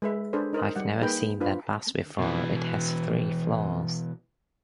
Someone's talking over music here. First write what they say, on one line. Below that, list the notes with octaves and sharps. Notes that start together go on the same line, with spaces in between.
I've never seen that bus before. It has three floors!
G#3 B4 E5
D4 G#4 A4 B4 C5
D#4 A#4 C5 D#5
G3 F#5
A#3 D#4 G#4 B4 G5
D4 F4 B4 C5
B2 E3